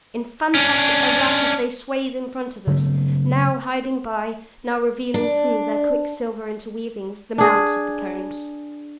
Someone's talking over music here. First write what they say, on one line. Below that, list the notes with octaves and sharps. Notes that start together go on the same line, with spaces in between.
In fantastic arrases they swayed in front of us--now hiding by, now revealing through their quicksilver interweavings the mounts of the Cones.
C#4 D4
C#3 F#3 A3 B3
D4
D4 G#4